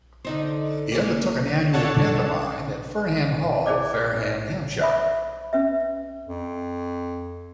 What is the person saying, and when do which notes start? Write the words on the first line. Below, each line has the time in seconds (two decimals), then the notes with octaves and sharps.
He undertook an annual pantomime at Fernham Hall, Fareham, Hampshire.
0.25 D3 D#4 C5
0.92 A#3 C#4
1.73 D4 A4 C#5 F#5 A5
3.66 E4 G#4 C5 D5 D6
4.79 C5 E5 B5
5.53 C#4 B4 E5
6.27 F2